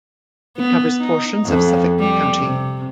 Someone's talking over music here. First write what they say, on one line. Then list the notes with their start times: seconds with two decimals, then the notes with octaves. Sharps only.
It covers portions of Suffolk county.
0.57 B3
1.00 D#4
1.46 F2
1.99 G3
2.40 C3